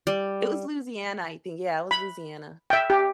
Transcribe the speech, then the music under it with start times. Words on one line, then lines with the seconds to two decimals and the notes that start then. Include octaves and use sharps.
It was Louisiana, I think yeah, it was Louisiana.
0.07 G3
1.91 B5
2.70 E5 G5
2.90 G4